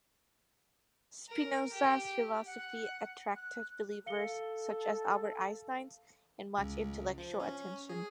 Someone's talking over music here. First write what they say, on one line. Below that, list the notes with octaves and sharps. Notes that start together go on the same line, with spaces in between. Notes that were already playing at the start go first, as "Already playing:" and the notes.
Spinoza's philosophy attracted believers such as Albert Einstein and much intellectual attention.
A#4
G4
F#5
F#6
A4 F5 C#7 G7
C#2
F3
C#4
G#4